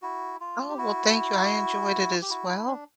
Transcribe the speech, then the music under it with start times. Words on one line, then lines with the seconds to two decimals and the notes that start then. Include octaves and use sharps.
Oh, well, thank you. I enjoyed it as well,
0.02 E4 F#4
0.40 F4
0.69 G4
0.78 E4 F#4
2.22 G4
2.30 E4 F#4
2.49 E4
2.67 D4